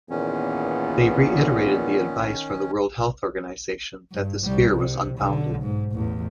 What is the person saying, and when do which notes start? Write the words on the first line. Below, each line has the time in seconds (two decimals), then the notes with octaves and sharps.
They reiterated the advice from the World Health Organization that this fear was unfounded.
0.10 E2 A#2 D#3 B3 C#4
4.13 G2
4.44 C2 G3
4.78 C3
5.17 B1 D3
5.63 G#2
5.92 A1 E2